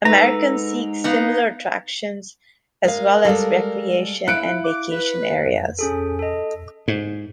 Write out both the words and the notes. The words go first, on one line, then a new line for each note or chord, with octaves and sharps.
Americans seek similar attractions, as well as recreation and vacation areas.
G#2 A4 B4 A#5
B3 D#4 F5
G#3 A#4 F5
G3 G#3 A4 F5
E4 F5 F#6 C#7 D7
D6
B4
C#4 G#4 A4
A4 D#5
G#2